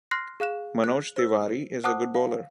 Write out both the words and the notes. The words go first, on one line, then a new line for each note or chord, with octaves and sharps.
Manoj Tiwari is a good bowler.
C6 F6 F#6 A#6 C7
G#4 F5 F#6 E7
F#6
C5 E6
C5 F#5 A5 D6 D#6 F#6
F5